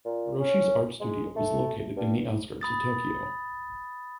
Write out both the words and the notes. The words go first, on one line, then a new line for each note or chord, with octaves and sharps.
Haroshi’s art studio in located in the outskirts of Tokyo.
A#2
C#4
G#3
A3
G2
B5 D#6 A6